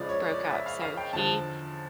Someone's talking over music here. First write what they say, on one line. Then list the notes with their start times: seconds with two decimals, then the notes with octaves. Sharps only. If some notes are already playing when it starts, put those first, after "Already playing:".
broke up, so, he
Already playing: C#2 C#3 F3 D5
0.09 C#5
0.30 D5
0.51 E5
0.66 F5
0.82 F5
0.97 G5
1.13 E2 D3 F3 A5